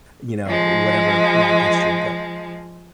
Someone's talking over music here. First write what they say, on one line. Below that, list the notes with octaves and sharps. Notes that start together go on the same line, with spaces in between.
you know, whatever, you know, gets your goat.
F3 G#3